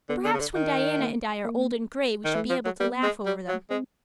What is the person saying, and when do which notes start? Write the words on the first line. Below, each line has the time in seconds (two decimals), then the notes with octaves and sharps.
Perhaps when Diana and I are old and gray we shall be able to laugh over them.
0.09 D3 B3
0.24 D3
0.33 C#3
0.40 D3
0.54 D#3
1.00 A#3
1.45 A#3
2.24 D#3
2.35 E3 A3
2.50 F3
2.65 F#3
2.80 G3 B3
3.03 G#3
3.26 G3
3.48 F#3
3.70 G#3 C4